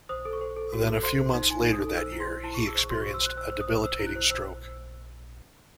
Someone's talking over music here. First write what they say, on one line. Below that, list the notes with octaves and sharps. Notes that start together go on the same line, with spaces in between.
Then, a few months later that year, he experienced a debilitating stroke.
C5 D#6
A4
C#6
C5
A4
F#4
A4
C5 C6
C5
C6
D#4
D#4 G#5
D#4
D#6
A4
C5 E6
E4
C6
C5
E4 A5
C#6
G#4
E6
C5 C#6
F#4 C6
C#6
C5
E6
C5 F#6
C5 E6
C5
D#6
C5
C5 E6
E4
F#6
C5
C5 E6